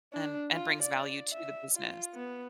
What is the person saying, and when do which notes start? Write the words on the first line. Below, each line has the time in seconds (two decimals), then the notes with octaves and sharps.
and and brings value to the business.
0.13 D4
0.53 F4
0.83 D5
1.31 E5
1.75 F4
2.14 B3